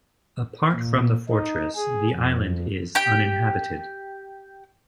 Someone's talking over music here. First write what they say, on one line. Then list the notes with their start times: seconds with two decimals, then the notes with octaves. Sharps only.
Apart from the fortress, the island is uninhabited.
0.72 A#2
1.29 D#4
1.75 G#4
2.10 F2
2.95 G4 G5